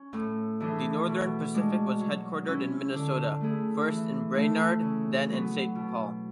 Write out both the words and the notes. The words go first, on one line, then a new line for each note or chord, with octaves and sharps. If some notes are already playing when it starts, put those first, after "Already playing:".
The Northern Pacific was headquartered in Minnesota, first in Brainerd, then in Saint Paul.
Already playing: C#4
A2
E3 A3 D4 G#4
B2
G#3 D4
F#3
C#4 E4
D3
A3 E4 G#4
E3
A3 E4
C#3
F#3 B3
B2